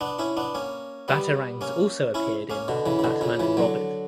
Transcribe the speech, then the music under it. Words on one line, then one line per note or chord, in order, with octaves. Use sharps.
Batarangs also appeared in "Batman and Robin".
B3 D4
C#4 E4
B3 D4
A#3 C#4
G3 B3
A#3 C#4
C#4 E4
A#3 C#4
B2 D3
C#3 E3
C#3
B2 D3
A#2 C#3
C#3 E3
D3 F#3